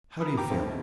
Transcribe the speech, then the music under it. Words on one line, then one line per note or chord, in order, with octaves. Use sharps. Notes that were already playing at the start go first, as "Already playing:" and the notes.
"How do you feel?"
A#4 B4 D#6
G4 G5 A#5 D6
D3 F3 A3 C4
D#2 B2